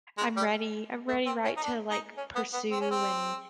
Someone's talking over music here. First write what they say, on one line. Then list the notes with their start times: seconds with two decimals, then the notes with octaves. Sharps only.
I'm ready I'm ready, right, to, like, pursue and,
0.18 G#3
0.37 G3
1.08 A3
1.26 C4
1.45 C#4
1.57 D#4
1.63 D4
1.90 D#4
2.17 C#4
2.36 B3
2.53 B3
2.71 C4
2.81 C#4
2.91 C4